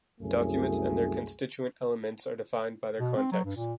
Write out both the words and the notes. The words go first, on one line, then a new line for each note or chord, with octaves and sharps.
Documents and their constituent elements are defined by their context.
C2 F#2 F#3 A3 G#4
B2
C4
F#3
G2
A#2